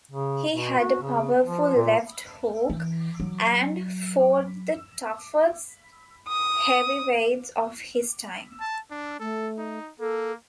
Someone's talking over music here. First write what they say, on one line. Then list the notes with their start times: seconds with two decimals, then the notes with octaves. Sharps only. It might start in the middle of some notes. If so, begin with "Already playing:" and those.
He had a powerful left hook, and fought the toughest heavyweights of his time.
0.11 C#3
0.51 B2
0.79 F#4
1.02 C#3
1.44 F3
1.75 A#2
2.70 E3
3.20 F#3
6.29 D#6
8.60 A5
8.91 D4
9.20 A3 A4
9.58 D#4
10.00 A#3 A4